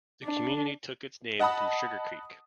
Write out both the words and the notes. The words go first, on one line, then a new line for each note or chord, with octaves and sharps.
The community took its name from Sugar Creek.
D4
D#5 F#5 A5 B5 D#6